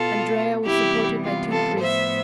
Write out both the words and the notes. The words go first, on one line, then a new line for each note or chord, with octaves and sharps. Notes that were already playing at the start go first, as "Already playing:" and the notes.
Andrea was supported by two priests.
Already playing: B2 B3 F4 A4
C3 E3 G3 B3 E4 G4
F4
F4 A4
A2 F3 B3 C5 E5